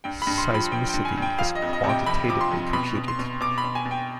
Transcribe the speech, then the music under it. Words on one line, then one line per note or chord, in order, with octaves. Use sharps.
Seismicity is quantitatively computed.
G2 G5
B5
G2
C6
F3 B5
F3 G5
G5
G2
G#5
G2 G5
F3 F5
D#5
F2
D#5
C3
G5
F2 B5
F3 D6
C6
F2
B2 B5
B2
C6
B2
B2 D6
B5
B2
G#5
B2
G5